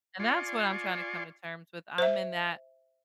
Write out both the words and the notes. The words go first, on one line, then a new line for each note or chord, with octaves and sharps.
And that's what I'm trying to come to terms with I'm in that
F4 D5 G#5 C6 C#6
C5 E5